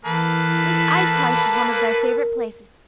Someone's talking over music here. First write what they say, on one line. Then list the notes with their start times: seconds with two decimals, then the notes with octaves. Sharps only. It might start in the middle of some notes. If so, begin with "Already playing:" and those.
This ice-house was one of their favorite places.
0.05 E3 A#3 A4 B4
1.75 A#4